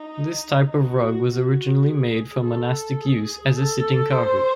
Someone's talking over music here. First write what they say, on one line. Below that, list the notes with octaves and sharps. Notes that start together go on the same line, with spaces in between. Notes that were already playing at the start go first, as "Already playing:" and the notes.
This type of rug was originally made for monastic use as a sitting carpet.
Already playing: D#4
F#4
F#4
G#4
A4
G#4
A4
C5